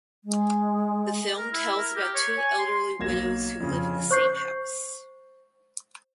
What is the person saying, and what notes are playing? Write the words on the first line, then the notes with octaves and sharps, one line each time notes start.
The film tells about two elderly widows who live in the same house.
G#3
A#4
E4
A#4
G4
C#5
G#5
C6
B1 F#3 A#3 G#6 A#6 E7
F2 C#3
C5 C#6 G6 C7